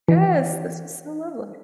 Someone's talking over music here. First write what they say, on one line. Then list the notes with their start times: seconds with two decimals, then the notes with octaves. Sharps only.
Yes, this was so lovely.
0.08 E3